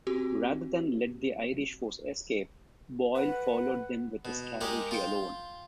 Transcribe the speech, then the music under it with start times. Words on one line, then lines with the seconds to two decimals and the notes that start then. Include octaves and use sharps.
Rather than let the Irish force escape, Boyle followed them with his cavalry alone.
0.07 C4 F#4 G4
3.15 B4 F#5
4.25 B2
4.61 G#3 D#4 G4 G#4 A#4
4.91 F4 G5